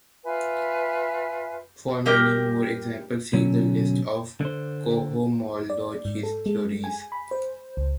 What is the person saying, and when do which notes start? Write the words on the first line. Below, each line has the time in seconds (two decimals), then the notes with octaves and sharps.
For many more examples, see the list of cohomology theories.
0.25 F4 B4 E5 G#5
2.05 G3 G4 A#4 D#5
3.33 B2 D3 F#3 C#4
4.41 D3 C5
5.70 D5
6.05 G#2
6.23 A4
6.46 G#3
6.84 G#5
7.12 B5
7.31 C5
7.77 C#2